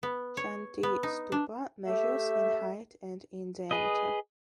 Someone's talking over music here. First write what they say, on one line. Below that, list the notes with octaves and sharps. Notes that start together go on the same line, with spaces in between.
Shanti Stupa measures in height and in diameter.
B3
C#5
B3
D#4
D4
A3 G4 E5
G#4 B4 D#5